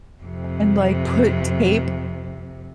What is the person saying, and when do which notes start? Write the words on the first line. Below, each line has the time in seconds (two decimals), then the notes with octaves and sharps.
and, like, put tape
0.23 F2 C3